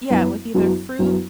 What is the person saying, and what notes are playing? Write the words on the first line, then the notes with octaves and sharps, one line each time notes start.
Yeah, with either fruit,
F#2 F#3 B3 E4
F#2 F#3 B3 E4
F#2 F#3 B3 E4